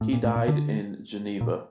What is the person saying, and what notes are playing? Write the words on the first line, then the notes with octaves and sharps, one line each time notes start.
He died in Geneva.
A2
A#2
A2
A#2
D3
A#2